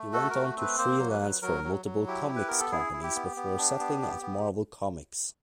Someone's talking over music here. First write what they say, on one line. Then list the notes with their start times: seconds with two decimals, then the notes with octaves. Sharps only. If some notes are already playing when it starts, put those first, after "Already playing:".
He went on to free-lance for multiple comics companies before settling at Marvel Comics.
Already playing: A3
0.13 F#4 A4
0.30 A3 A#4
0.57 C4 B4
0.78 A#3 C5
0.99 F#3
1.10 B4
1.21 F#3
1.42 F#3 A#4
1.64 F#3
1.85 F#3
2.07 E4 G4
2.29 E4
2.36 B4
2.48 B3 A#4
2.59 A4
2.72 E4 G#4
2.93 E4
3.04 G4
3.15 B3
3.36 B3
3.58 D4
3.79 B3
4.02 B3
4.22 B3